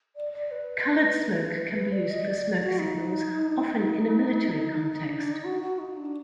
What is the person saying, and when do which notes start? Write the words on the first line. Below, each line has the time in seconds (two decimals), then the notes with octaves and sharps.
Colored smoke can be used for smoke signals, often in a military context.
0.16 D5
0.33 D5
0.51 B4
1.75 B4
1.92 D5
2.10 D#5
2.27 D5
2.62 F#4
2.80 D#4
4.91 D#4
5.04 D4
5.18 D4
5.32 D#4
5.44 F#4
5.62 F#4
5.79 D#4
5.97 D4